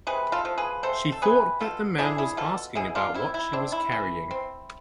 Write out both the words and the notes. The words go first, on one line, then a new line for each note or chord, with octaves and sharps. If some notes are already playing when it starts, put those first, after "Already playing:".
She thought that the man was asking about what she was carrying.
C3 G#4 B4
F4 A4
F3
G#4 B4
C3 A4 C5
A4
C3 G#4 B4
B2 F4 A4
D4 E4 G#4
E4 G#4
B2 F4 A4
B2 E4 G#4
D4 F4
C4 E4
E4
C4 D4
E4
E3
C4